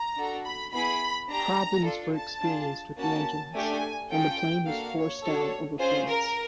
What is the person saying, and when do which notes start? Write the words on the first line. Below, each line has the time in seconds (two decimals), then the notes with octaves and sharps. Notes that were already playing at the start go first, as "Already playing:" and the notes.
Problems were experienced with the engines, and the plane was forced down over France.
Already playing: A#5
0.16 D4 F#4 A4
0.44 B5
0.72 B3 E4 G#4 B5
1.28 D4 G4 A#5
1.84 D4 F4 A4
2.14 A5
2.41 D4 F4 G#4
2.97 A#3 C#4 F#4 A5
3.53 A3 D4 G4 G#5
4.10 C#4 F4 A4 G5
4.66 A#3 D4 F#4 A4 F5
4.95 C#5
5.22 D4 F#4 A4
5.79 C#4 F4 G#4 C5
6.08 A#4